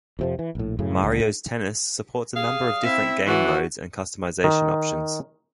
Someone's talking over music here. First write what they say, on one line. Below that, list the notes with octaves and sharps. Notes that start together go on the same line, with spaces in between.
"Mario's Tennis" supports a number of different game modes and customization options.
F2 C3 F3
E3
A#1 A2
F#2 A2 C#3
C#2 D3
A2
G3 G#4 F5 D#6
C4 E4 E5
E3 C#4 D4 F#4
D#3